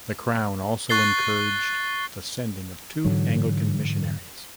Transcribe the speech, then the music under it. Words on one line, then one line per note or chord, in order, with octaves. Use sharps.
The Crown also encouraged the sending of two Anglican missionaries.
C#6 F#6 A6 C7 G7
G#2 D3 E3 F#3